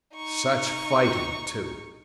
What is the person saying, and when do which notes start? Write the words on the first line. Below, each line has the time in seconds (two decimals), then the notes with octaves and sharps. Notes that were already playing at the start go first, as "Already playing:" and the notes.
Such fighting, too!...
0.16 D#4 C#6